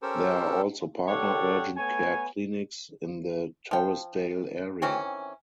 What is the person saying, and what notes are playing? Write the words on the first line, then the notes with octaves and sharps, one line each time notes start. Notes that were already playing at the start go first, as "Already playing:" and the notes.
There are also partner urgent care clinics in the Torresdale area.
C#4 G4 A4 A#4 C5 E6
G4 A4 C#5 D5 F#5 G5
A3 B3 C#5 G#5
F3 G5
D#3 E3 C4 C#4